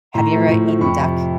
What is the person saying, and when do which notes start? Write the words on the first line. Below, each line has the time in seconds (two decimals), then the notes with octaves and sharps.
Have you ever eaten duck?
0.14 A2 A#5 C6
0.32 F3 A3
0.48 A2
0.64 F3 A3
0.81 F2 B5 C#6
0.98 C3 F3